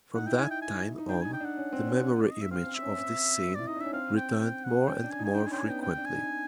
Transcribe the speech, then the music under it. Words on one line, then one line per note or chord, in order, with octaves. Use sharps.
From that time on, the memory image of this scene returned more and more frequently.
D#4 F#5
E4 G5
D#4 G#5
G5
G#5
D#4
D4 G5
D#4 G#5
G5
D4
F#5
C#4
C4
C#4
D5
D#5
E5
C4 F5
C4
E5
C#4
C4
E4 D5
D#4 D#5
D4
C#4 E5
C4 F5
G5
G5
F#5
C#4 G5
D4
G#5
D#4
G#5
D4 G5
G#5
C#4 G5
G#5
B3
G5
C4 G5
D4
G#5
D#4
D4